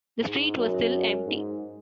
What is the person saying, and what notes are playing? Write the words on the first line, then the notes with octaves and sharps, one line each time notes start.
The street was still empty.
G#2
F#2
G#2